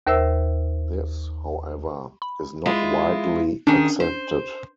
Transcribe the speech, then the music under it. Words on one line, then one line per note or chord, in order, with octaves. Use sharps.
This, however, is not widely accepted.
D#2 A#4 C5 E5 E6
B5
G#3 E4 F4
D#3 C#4 D4 G#4
C5